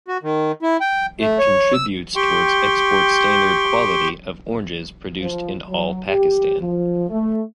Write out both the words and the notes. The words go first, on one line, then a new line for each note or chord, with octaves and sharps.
It contributes towards export standard quality of oranges produced in all Pakistan.
F#4
D#3
E4
G5
A3
C#5
E6
G4 G5 C6 C#6
F3
F#3
G4
F3
A3